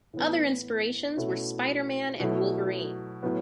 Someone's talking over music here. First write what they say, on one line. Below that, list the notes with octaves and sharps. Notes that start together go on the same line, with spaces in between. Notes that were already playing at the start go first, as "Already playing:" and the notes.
Other inspirations were Spider-Man and Wolverine.
A2 E3 B3
B2 A3 C#4 E4
B2 F#3 A3 E4
A2 F#3 B3